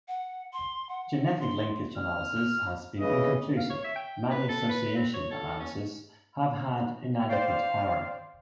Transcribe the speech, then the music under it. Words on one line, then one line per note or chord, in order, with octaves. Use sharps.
Genetic linkage analysis has been inconclusive; many association analyses have had inadequate power.
F#5
C6
F#5
C6
F6
C#3 E3 D#5
F5
C#5
E5
G5
B4
A4
B4
C4
C#5
A4
C#4
C5 D5 F5 G5